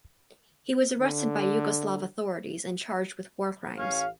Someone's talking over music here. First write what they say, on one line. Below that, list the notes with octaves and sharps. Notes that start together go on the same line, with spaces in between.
He was arrested by Yugoslav authorities and charged with war crimes.
D3
A1 C#4 F5